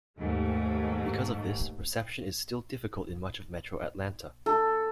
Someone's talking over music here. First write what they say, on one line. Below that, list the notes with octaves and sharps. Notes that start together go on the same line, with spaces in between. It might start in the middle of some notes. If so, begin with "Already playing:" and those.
Because of this, reception is still difficult in much of metro Atlanta.
D#2 G#2 A3
A4